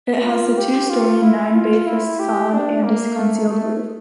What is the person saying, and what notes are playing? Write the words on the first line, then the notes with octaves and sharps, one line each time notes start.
It has a two-storey, nine-bay facade and concealed roof.
F4
G4
F4
E4
F4
E4
G4
D4
A#3
A3
A3